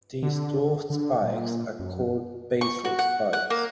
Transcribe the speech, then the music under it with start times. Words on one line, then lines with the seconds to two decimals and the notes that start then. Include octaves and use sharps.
These dwarfed spikes are called "basal spikes".
0.23 D3
0.90 D3
1.23 A#2
1.79 F#2
2.61 C#6
2.85 F#4
2.99 F#5
3.33 F#5
3.50 A#3